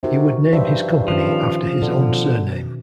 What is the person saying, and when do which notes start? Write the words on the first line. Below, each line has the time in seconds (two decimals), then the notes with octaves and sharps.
He would name his company after his own surname.
0.03 C3 D#4 F#4 A#4
0.53 G2 F3 C5 E5
1.08 D#3 F3 C#4
1.82 B2 D3